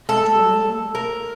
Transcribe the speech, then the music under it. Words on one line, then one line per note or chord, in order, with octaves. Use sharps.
How do I know?
A4
A#4